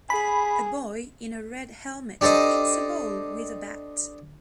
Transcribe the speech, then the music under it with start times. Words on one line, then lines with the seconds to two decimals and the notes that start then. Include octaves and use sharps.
A boy in a red helmet hits a ball with a bat.
0.10 G#4 B5
2.21 D4 G4 A4 C5 D#5